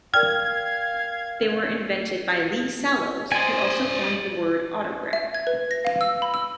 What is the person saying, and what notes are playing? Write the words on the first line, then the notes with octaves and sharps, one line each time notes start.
They were invented by Lee Sallows, who also coined the word "autogram".
A#4 D5 F5 G5 F6 G#6
C5 D5 D#5 G#5
E5
G#6
B4
A#6
F5
E6
B5
E6